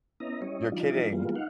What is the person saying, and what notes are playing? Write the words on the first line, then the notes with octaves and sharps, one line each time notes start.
You're kidding.
B3 C#4 E4 D#5 A#5
G3 C#4 E4 C#5 D#5
E3 F3 G3 D4 D#4 F4
E3 G3 G#3 A#3 B3 F4
D#4 F5 F#5